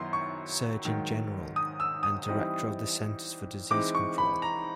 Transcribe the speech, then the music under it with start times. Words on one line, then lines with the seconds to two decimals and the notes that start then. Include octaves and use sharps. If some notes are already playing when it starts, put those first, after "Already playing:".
Surgeon General and director of the Centers for Disease Control.
Already playing: F#2 D#3 F#3 B3 E4 C6
0.13 C#6
0.85 G#2 D#3 F#3
1.56 D#6
1.80 E6
2.03 D#6
2.28 E3 G3 C4 D#4
3.70 E3 G#3 C4 D#4 D6
3.95 C#6
4.18 B5
4.42 A#5